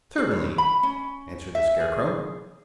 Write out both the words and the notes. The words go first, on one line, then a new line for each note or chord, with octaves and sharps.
"Certainly," answered the Scarecrow.
G#4
C#5
B5
C#4
E5
G#4